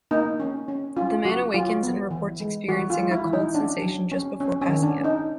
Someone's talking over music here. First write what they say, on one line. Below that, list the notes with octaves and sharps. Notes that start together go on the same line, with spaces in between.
The man awakens and reports experiencing a cold sensation just before passing out.
A#3 D#4
C#4
C#4
C#4 F4
F#3 F#4
F#3 F4
B3
E3
G#3
E3 F#4
F4
G#3
E4
E3
D#4
C#4 D4
F#3
C#4
C#4
C#4
D#3
D4
C#4
D#4